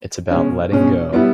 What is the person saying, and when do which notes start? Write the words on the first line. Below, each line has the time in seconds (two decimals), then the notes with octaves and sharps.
It's about letting go.
0.31 B2 G#3 C#4
0.72 B2 G#3 C#4
1.12 G3 B3 E4